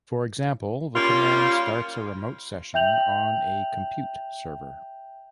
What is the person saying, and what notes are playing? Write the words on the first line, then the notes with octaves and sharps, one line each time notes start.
For example, the command starts a remote session on a compute server.
G3 A#3 C#4 F4
E5 G5 G6 F7 F#7